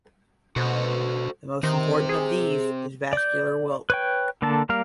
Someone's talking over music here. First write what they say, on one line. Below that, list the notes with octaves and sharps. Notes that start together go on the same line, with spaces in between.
The most important of these is vascular wilt.
B2 F#4 A4 C5
D#3 C4 G4 C5
G#4
D5 G6
B4 C#5 G5
D3 A#3 A4 A5
G3 A#3 A#4 F5